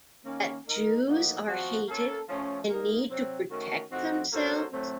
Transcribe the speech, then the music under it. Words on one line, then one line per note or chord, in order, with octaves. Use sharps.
That Jews are hated and need to protect themselves?
D#3 A#3 C#4
A#3 D#4 A#4
A2 F3 A#3 D#4 F#4
F3 C4 F#4
A#3 C#4 A4
F3 A3 C#4
A#3 D#4 A#4
C3 F#3 C4
D#3 A3 C#4 F#4 A#4
A2 F3 C4 D#4 F#4
A#3 C#4 F#4 A4 C5
A2 F#3 A3 C4